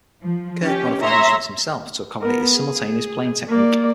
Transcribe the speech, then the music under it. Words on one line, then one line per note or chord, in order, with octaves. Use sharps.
Kirk modified instruments himself to accommodate his simultaneous playing technique.
F3
C#4 G4
C#5 E5 A#5 C6
B3 A#4
G#4
A#3 D5